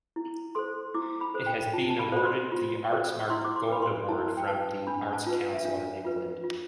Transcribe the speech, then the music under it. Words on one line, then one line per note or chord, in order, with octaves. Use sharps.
It has been awarded the Artsmark Gold Award from the Arts Council of England.
E4
A4 C5 C6
E4 D6
B5
A4 C5
G5
F4 A5
A5
B5
A4 C5 B5
C6
F4
A4 C5
E4 C6
D6
C6
B4 B5
C6
E4 A5
G5
B4 A5
D4 B5
A5
F4 B4
F5
E5
D4 F5
F4 B4
F4